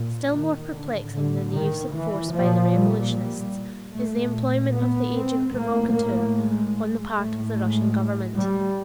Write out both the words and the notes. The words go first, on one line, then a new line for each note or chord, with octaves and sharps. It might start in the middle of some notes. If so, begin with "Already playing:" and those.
Still more perplexing than the use of force by the revolutionists is the employment of the agent-provocateur on the part of the Russian government.
Already playing: A#2
D#3
A2 D3
D3
D#3
E3
A#2 F3
G3
G3
A#2 A3
B3
C4
A2 A#3
A#3
G#3
A2 A3
G#3
G3